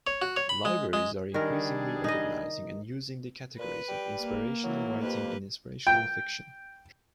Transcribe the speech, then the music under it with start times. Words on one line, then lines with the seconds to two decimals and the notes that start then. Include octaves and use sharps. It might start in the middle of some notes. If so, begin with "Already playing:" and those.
Libraries are increasingly recognizing and using the categories of inspirational writing and inspirational fiction.
0.07 C#5
0.22 F#4
0.37 C#5
0.49 B5
0.65 G#3
0.93 G#3
1.34 D#3 G3 D4 G#4 A#4
2.04 D#4 D#5
3.58 A#2 B4
3.89 G3 G5
4.22 A#3
4.63 E3 F#3
5.02 F2 G4 B4
5.87 G5